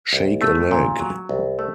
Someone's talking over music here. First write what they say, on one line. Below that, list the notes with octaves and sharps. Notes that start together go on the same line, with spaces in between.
Shake a leg.
C2
A3
A#2
F#3
C2
A3